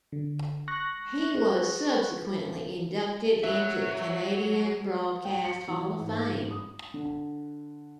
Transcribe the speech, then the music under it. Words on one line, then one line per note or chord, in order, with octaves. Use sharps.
He was subsequently inducted into the Canadian Broadcast Hall of Fame.
D3
C#6 F#6 A#6
G#4 B4
F#3 E5
G5
C#7
E3
G#2
D#6
D3